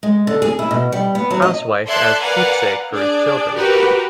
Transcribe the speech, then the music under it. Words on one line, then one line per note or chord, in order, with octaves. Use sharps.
Housewife as keepsake for his children.
G#3
D3
G#4
E4
B2
G3
B3
F#3
D#5
A4 D5 E5 C6 F#6 G#6
A#4 B4 D5 F5 F#5 G#5
D4 G#4 D5
F#4 G4 A#4 B4